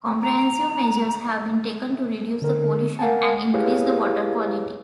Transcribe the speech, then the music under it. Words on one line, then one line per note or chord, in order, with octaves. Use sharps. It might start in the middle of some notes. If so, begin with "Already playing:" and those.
Comprehensive measures have been taken to reduce the pollution and increase the water quality.
A#5
D3 A#4
A#4 F5 F#5 G#5 A5
E4 G4 G#4 B4 C#5 F5